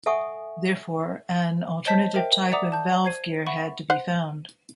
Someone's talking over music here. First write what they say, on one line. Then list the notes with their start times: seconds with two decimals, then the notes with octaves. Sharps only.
Therefore, an alternative type of valve gear had to be found.
0.06 A4 E5 F#5 G#5 C#6 D#6
1.86 C5 C#5 D#5 A5 G6 B6
2.14 A#4 C5 E5 G5
2.52 D5 E5 F#5 A#5 D6 D#6
2.72 A5 G6
3.05 C5 G#6 C7 D#7
3.47 E5 F#5 B5 C#6
3.90 B4 C5 F#5